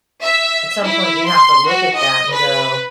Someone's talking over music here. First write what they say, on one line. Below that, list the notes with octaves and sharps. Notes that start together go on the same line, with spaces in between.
At some point you have to look at that and go
E5
E4
C6
F#4
D#5
B4